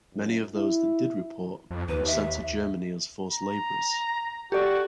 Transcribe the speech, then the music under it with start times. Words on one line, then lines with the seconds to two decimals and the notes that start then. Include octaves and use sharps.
Many of those that did report were sent to Germany as forced labourers.
0.13 F#2
0.55 E4
1.71 F2
1.89 D#2 B4
2.07 E5
3.31 A#5
4.52 F#4 G4 A4 D5